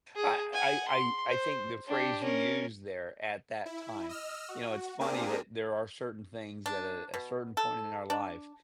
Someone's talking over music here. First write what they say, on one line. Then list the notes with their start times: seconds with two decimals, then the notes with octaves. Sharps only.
I I I I think the phrase you used there, "at that time," you know, it's funny that there are certain things that at a certain point in our life,
0.16 G#4
0.53 F#5 G#5
0.88 C6
1.27 C5
1.88 D4 G4
2.22 C#4 A#4
3.66 E4
4.09 D#5 E6 F6
4.49 F#4
5.00 A#3 C4 D4 G4 G#4 A#4
6.66 D4
7.14 B2
7.57 A4
8.10 D4